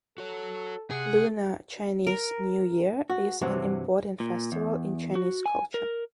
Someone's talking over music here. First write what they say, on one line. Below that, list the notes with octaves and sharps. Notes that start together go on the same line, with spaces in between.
Lunar Chinese New Year is an important festival in Chinese culture.
F#4 A4 C#5
C3 G#4 F#5
A#4
F#4
G2 C3 E3 F#3 F#4
A#2
E2
F#4
G#5
A#4